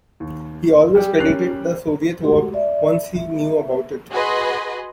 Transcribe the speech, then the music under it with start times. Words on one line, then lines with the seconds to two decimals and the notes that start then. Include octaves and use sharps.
He always credited the Soviet work once he knew about it.
0.20 D#2
0.95 G3 G#4 D5 G5
1.19 C#4 A#4 F#6 C7 F7
2.23 G#3 A3 F#4 G4 F#5 C6
2.54 D5 E5
3.16 E5
4.11 F#4 G#4 B4 D#5 C6